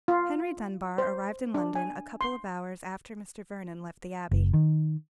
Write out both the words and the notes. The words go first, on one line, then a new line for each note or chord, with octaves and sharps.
Henry Dunbar arrived in London a couple of hours after Mr. Vernon left the Abbey.
F4
C5
D4
G#5
C6
F#1
D#3